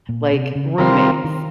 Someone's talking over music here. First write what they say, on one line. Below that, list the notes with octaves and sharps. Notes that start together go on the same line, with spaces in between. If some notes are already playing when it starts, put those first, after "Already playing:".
like roommates.
A#2
C3
C#3
C3 D#3 G3 C4 F4 A#4
D#3